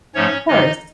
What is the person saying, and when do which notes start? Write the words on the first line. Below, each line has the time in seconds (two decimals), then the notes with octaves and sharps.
Of course.
0.15 G#2 F3 A3 C#4 C#5
0.48 G2 D#3 G#3 D#4 D#5